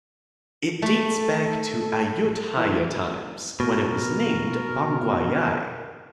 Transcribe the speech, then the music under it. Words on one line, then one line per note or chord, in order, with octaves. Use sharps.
It dates back to Ayutthaya times, when it was named Bangwayai.
A3 A4
E3
B2 A#4